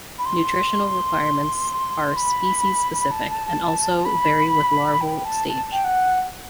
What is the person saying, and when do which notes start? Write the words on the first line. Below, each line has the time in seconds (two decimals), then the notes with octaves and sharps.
Nutritional requirements are species specific and also vary with larval stage.
0.19 B5
0.26 C6
2.16 B5
3.11 A5
4.05 B5
5.01 G5
5.25 A5
5.48 A5
5.72 G5
5.84 F#5